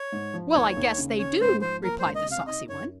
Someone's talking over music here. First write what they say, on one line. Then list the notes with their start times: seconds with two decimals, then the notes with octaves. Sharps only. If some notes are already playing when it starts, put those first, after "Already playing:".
"Well, I guess they do," replied the saucy one.
Already playing: C#5
0.12 G#2
0.34 F3
0.55 D#2 C#5
0.77 D#2
0.98 C#3
1.19 C#4 C#5
1.41 G#2 C5
1.61 F3 C5
1.83 A#3 A#4
1.99 C5
2.05 C#2
2.15 D#5
2.26 C3
2.32 F5
2.47 D#4 D#5
2.69 F#2 C#5